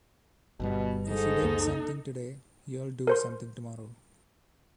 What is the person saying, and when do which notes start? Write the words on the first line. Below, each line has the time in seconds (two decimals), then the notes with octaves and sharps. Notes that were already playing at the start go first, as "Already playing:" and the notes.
If you did something today, you’ll do something tomorrow.
0.60 G1 G2 B2 G3
1.07 G#2 D#4 A4
1.43 C#2 F#2 A#3
3.07 A#4 C5 C6